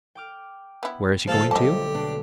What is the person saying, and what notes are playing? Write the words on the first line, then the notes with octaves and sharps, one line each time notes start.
Where is he going to?
G5 D6 F6
B3 E4
D3 F3 A3 A#3 G#4 A4 F5 A5
B1 G3 G4 D#5 A5
B2 D4